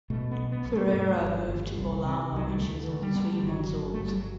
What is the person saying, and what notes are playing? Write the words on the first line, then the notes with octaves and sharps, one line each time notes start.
Ferreira moved to Bolama when she was only three months old.
B2 A3
B3
B1
B3
B1
A3
B3
G2
A3
G1
G1
C2
C3
C2 F#3
G3
D2 A3
D3
G3
D3 B3
A3
G3
G1 F#3
G1
A3
G1
G3
F#3